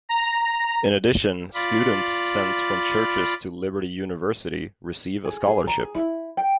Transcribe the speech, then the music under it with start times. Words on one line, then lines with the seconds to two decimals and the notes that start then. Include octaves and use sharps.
In addition, students sent from churches to Liberty University receive a scholarship.
0.09 A#5
1.54 F4 D5 B5
5.25 G#4
5.47 G#4
5.67 A#5
5.80 G#4
5.95 E4
6.37 G5